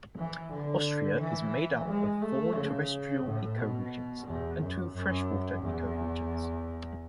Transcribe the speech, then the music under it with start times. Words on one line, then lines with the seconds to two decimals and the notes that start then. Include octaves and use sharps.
Austria is made up of four terrestrial ecoregions and two freshwater ecoregions.
0.18 E3
0.53 D3
1.20 E3
1.88 G#3
2.22 A3
2.56 C#3
3.25 A2
3.58 B2
4.27 E2
4.61 F#2
4.94 F#2
5.63 E2